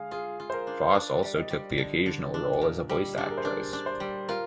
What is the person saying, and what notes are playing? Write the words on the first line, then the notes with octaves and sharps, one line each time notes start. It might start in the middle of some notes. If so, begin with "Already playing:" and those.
Foss also took the occasional role as a voice actress.
Already playing: D3 G#3 G#4 F5
F4 G#4
F4
C5
A#4
D4
C5
D4 D5
G3 D5
D#5
G3
D3
D3
D4
A#2
G3
D4
G#4
A#4
C5
D4 D5
D4
C5
G3
F4 A#4